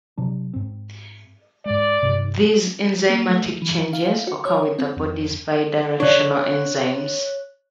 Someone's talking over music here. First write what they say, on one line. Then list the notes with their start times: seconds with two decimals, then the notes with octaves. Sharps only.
These enzymatic changes occur with the body's bidirectional enzymes.
0.18 C3 F#3 D4
0.54 G#2 C4
1.66 G#2 G#3 D5
2.03 G2 C3
3.10 A#3
3.30 A3
3.62 E3
3.93 F5
4.27 F#4
4.45 C#5
4.79 C4
4.97 F2
6.00 C#3 D4 C#5 F#6